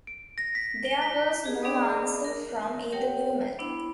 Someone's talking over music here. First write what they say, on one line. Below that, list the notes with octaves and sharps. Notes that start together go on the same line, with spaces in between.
There was no answer from either woman.
D7
A#6
B6
G7
B6
G4 G#4
B3 D4 G#4 D5 D#5 D#6
A#4
G4 A#4 C#5 F#5 G5
B3 D4 E4